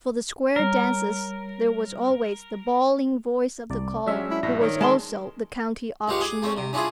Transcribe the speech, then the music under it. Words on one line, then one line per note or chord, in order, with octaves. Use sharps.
For the square dances there was always the bawling voice of the caller, who was also the county auctioneer.
G3 A#4 C#5
C2 D5
F#3 G#3 C#4 D4 E5
E4
A#1 G2 E4 A#6
D#3 C#5 D5
G#3 A5 C6
C#2 G#3 G4 F5 C#6
G#4 D6
A3 C4 C#4
C3
C#4 D4 E4 F4 G#4